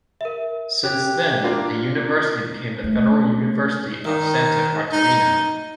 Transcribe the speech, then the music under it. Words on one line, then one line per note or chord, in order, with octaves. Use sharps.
Since then the university became the Federal University of Santa Catarina.
A#4 E5
G4 F#6
A#3 D4 F4
G#3 A3
D#3
D#4